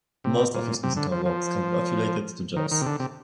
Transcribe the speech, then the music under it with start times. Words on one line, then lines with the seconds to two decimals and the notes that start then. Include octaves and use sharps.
Most of his musical works can be affiliated to Jazz.
0.24 C3
0.54 A#2
0.83 C3
0.97 D3
1.12 F3
1.26 F3
2.56 D#3
2.71 D#3
2.81 C3
2.86 D3
3.00 C3